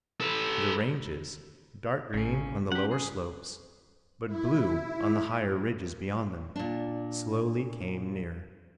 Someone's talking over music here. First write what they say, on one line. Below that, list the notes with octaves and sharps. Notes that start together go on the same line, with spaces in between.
The ranges, dark green on the lower slopes, but blue on the higher ridges beyond them, slowly came nearer.
A4 B4
A1 C#3 C#4
C#4 G4 F#5
G#4
E4
A#2 D4